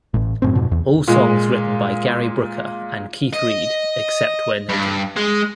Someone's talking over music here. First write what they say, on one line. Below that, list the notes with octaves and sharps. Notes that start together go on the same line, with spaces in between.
All songs written by Gary Brooker and Keith Reid except where noted.
A1 A2
F#2 A2 C4
F2 G#2 B2
E2
A#2 G#3
D#5
G2
G#3